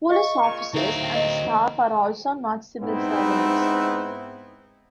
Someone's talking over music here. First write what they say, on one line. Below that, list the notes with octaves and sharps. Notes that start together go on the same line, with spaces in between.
Police officers and staff are also not civil servants.
D#5 F5 C#6
A#2 C#3
D2 D#3 F#3 C4 D#4 E5 F5 A#5
D#5
G#2 B3 C4 D#4 E4